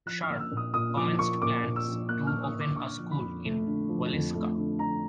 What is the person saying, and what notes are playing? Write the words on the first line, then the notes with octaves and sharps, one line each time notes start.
Sharp, commenced plans to open a school in Waleska.
F3 F#6
F6
A#3
E6
A#2
D#6
A#2 D#6
F3 D6
A#3 C#6
A#2 D6
A#2
E6
F3
A#3 F#6
F6
A#2
D#6
A#2
D6
D3 C#6
F3
B5
F2
A3
D3
F3
F2
A3
D3
F3 A#5